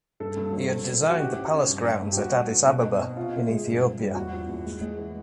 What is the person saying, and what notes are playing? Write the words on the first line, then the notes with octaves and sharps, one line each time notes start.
He had designed the palace grounds at Addis Ababa in Ethiopia.
G2 A4
G2
F#3
C4
C4
E3
F#4
C#4 G4
C#4
C#4
G2
G2
G2
G4
B3 F#4
B3
D4
B2
D#4
C4
C3 F4
C3
G#3
G2
C4
G3
E2 F#4
F3
E2
G#3
G#3
E3